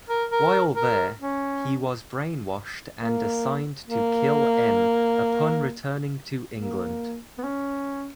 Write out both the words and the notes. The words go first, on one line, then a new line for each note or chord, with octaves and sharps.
While there, he was brainwashed and assigned to kill M upon returning to England.
A#4
A#4
A#4
C#4
A#3
A#3
A#3
B3
C#4